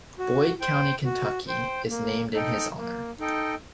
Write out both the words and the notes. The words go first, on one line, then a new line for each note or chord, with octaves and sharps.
Boyd County, Kentucky is named in his honor.
F#4
C5 G5
F#4
C5 G5
A#3
D#4 A4 D#5 G5
A#3
D#4 A4 D#5 G5